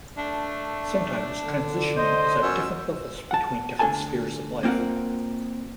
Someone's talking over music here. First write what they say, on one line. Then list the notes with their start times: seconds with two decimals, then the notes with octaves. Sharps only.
Sometimes transitioning is at different levels between different spheres of life.
0.17 A3 D4
1.45 D3
1.97 C5 D#5
2.42 F#2 A#2 F3 C#4 E6
3.31 F#5 A5
3.79 D2 D3 A4 G#5 A5
4.63 A#3 C4 F4 A#4 F#5